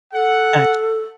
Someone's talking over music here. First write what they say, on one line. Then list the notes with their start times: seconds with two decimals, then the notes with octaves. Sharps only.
Got you.
0.14 A4 F#5